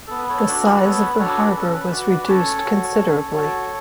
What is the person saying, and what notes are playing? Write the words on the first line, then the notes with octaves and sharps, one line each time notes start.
The size of the harbour was reduced considerably.
B3 A4
B4
A4 C#5
D4 F#4 A4
B4
B3 A4 C#5
B4
D4 F#4 A4 C#5
B4
C#4 A4
B4
F#4 B4 D5
B4 D5
C#4 A4 C#5
F#4
C#4
F#4